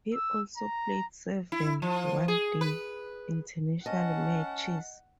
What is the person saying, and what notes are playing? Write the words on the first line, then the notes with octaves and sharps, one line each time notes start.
He also played seven One Day International matches.
E6
A#5
E4
F3
G#4
B4
C#4 D#5 F#5 A5